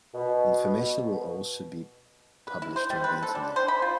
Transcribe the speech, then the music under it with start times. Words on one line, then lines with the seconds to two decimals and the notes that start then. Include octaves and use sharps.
Information will also be published on the internet.
0.15 B2
2.47 B4
2.62 E4
2.76 C5
2.90 G3
3.04 B4
3.22 A4
3.35 D4
3.56 C5
3.68 B5
3.82 F4